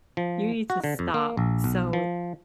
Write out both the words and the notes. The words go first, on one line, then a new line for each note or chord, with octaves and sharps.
you need to stop." So,
F3
F#4
D3
F2
A#3
A#1
B1
F3